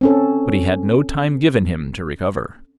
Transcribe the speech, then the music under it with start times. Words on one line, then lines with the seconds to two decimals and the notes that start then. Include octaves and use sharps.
But he had no time given him to recover.
0.01 C4 C#4 A4